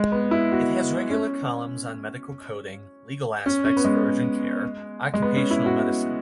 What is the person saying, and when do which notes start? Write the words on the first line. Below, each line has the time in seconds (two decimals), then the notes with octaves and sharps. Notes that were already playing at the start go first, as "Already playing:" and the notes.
It has regular columns on medical coding, legal aspects of urgent care, occupational medicine.
Already playing: G#3
0.12 B3
0.31 E4
0.52 F#4
1.10 C#4
3.46 C#4
3.65 C#4
3.77 B3
3.85 G#3
5.14 G#3
5.22 B3
5.36 C#4
5.51 E4
5.66 F#4